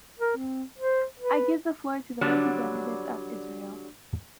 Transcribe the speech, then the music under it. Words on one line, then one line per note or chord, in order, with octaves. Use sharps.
I give the floor to the representative of Israel.
A#4
C4
C5
B4
D3 F#3 G3 D4